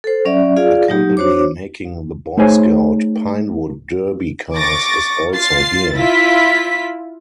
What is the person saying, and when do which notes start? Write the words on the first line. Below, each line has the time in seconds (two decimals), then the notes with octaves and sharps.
A company making the Boy Scout Pinewood Derby cars is also here.
0.04 A4 C5
0.25 F#3 C#4 D5 E5
0.56 F4 G#4 D5 F5
0.89 F#3 D#4 G4
1.17 D4 F#4 C5 C#5 D6
2.37 A3 D#4 G#4 C5 C#5 G#5
4.57 C#6 D6 A6 A#6
5.33 F4 A6 C7
5.95 E4 F4 B6